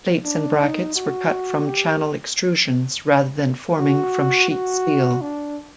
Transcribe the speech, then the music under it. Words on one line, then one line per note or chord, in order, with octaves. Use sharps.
Plates and brackets were cut from channel extrusions rather than forming from sheet steel.
D4
D#4
F#4
G4
F#4
F#4
D4